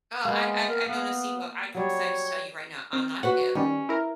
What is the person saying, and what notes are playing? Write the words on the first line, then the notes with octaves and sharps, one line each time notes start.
Oh, I I I don't see what I can say tell you right now, I'm not hip.
G#3 A#3 B3
A#4
B3 F5 F#5
F#3 G3 C#5
C4
F#4 B4 C#5 F#5
D#3 G3 C#4
E4 A#4